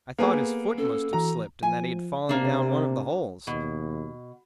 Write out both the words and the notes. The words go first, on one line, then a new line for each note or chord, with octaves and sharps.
I thought his foot must have slipped and that he had fallen down one of the holes.
A#3 B3 G#4 A4
C#4 A4
E3 F#4 A#5
F3 G#5
C3 A#3 D4
D#2 B2